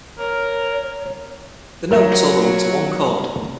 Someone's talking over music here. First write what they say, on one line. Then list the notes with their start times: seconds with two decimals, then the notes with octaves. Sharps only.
The notes all belong to one chord.
0.18 A#4 C#5
1.91 F#3 A#4